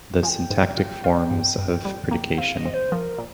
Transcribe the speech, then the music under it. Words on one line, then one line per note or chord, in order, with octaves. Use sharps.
The Syntactic Forms of Predication.
F3 G#5
G5
G#2
F4
F4
G2
G2
G3
A#3
C4 F5
D#5
C3
C5
F3 A#4
A#2